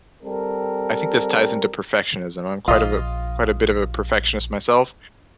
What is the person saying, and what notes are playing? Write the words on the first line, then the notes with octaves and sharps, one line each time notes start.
I think this ties into perfectionism. I'm quite of a quite a bit of a perfectionist myself
G3 C4 A4 A#4
A#1 F4 D#5